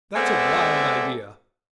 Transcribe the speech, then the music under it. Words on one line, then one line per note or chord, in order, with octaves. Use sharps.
That's a wild idea.
G#3 B3 C4 A4 D5 E5